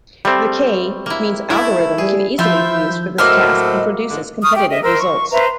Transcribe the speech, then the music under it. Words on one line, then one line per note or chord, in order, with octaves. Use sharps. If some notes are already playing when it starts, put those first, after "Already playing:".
The "k"-means algorithm can easily be used for this task and produces competitive results.
G3 A3 C4
A#3 E4
A3 A#3 E4
G3 G#4
F3 E4 F4 E5 G6
A2 F#3 A#3 C5 D#5 E5 E6 F6
G#2 D3 D#3
C#6 D#6 F6
G4 G5
D#5 E5
A#4 C5 E6
C#6
B4 C5 E5 A#5